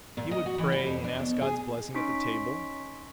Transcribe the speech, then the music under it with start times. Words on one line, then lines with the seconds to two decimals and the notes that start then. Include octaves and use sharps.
He would pray and ask God's blessings at the table.
0.17 A#2
0.31 D#5
0.46 F#4
0.58 E3
0.72 G3
0.87 F2
1.04 D4
1.19 B2
1.41 G#4
1.94 C#4 D#4 C6 C#6 B6 D7